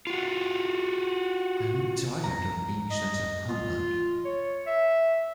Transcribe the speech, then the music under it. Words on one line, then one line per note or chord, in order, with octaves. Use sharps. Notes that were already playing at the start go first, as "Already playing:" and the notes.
I am tired of being such a humbug.
F4 F#4
A#5
D#5
F4
C#5
E5